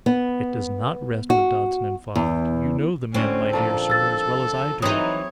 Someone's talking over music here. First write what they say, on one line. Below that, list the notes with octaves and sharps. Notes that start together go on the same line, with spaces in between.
'It does NOT rest with Dodson and Fogg; you know the men, my dear Sir, as well as I do.
B3
F#4
E2
A2 D3 C4 C#4 F#4
A#2 F3 A#3 A4 A5
E6 A6
E3 F#3 C4 D#4 E4 C#5 D#6